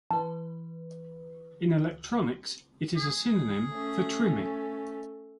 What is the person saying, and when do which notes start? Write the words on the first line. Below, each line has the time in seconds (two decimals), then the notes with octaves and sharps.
In electronics, it is a synonym for trimming.
0.11 E3 B4 A5
2.96 G#4
3.71 A3 C#4